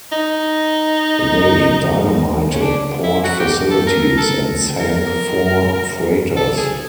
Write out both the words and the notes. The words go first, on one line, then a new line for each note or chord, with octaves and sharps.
They dynamited port facilities and sank four freighters.
D#4
C#4
D4
E4
F#4
G4
A4
A#4
A4
A#4
A4
G#4